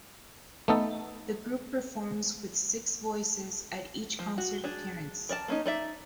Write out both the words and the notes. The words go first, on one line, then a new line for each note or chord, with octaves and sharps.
The group performs with six voices at each concert appearance.
A3 B3 D#4 A4
F3
F#4
D4 G#4
A#4 D5 D#5 A5
A#3 C#4 D#4
D#4 D5 E5